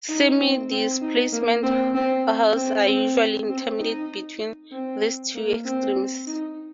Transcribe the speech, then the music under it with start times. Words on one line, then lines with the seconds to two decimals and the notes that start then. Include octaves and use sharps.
Semi-displacement hulls are usually intermediate between these two extremes.
0.09 D#4
0.40 C4
0.71 C4
1.02 D#4
1.32 A#3
1.63 C4
1.95 C4
2.56 C4
2.87 C4
3.49 C4
3.79 D#4
4.72 C4
5.35 A#3
5.66 C4
6.27 D#4